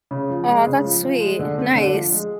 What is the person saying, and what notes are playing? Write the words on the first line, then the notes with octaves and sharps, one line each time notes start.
Aw, that's sweet, nice.
C#3
F3
G#3
C#3
F3
F3
G#3
D3
C4
D3
F3
G#3